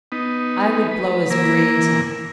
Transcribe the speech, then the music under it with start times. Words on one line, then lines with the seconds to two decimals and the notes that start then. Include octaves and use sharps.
'I would blow his brains out.'
0.12 B3 D#4
0.91 B4
1.30 E3 A#3 A#4